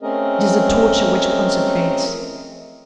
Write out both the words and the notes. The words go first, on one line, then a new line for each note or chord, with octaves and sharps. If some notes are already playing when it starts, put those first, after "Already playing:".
It is a torture which consecrates.
A3 C4 C#4 G#4 A#4 D#5